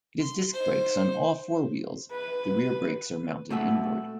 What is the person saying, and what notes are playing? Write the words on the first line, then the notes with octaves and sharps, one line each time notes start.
It has disc brakes on all four wheels, the rear brakes are mounted inboard.
C6
D#4 C5
B4
B2 A3 E5 F#5